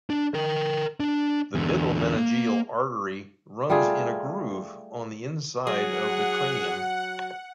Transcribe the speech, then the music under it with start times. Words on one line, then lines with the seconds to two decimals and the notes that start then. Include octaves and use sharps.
The middle meningeal artery runs in a groove on the inside of the cranium.
0.10 D4
0.34 A#4 G5
1.00 D4
1.55 E2 D3
2.16 A#3
3.70 G3 A3 F4 G#4
5.67 F#3 G#4 F#5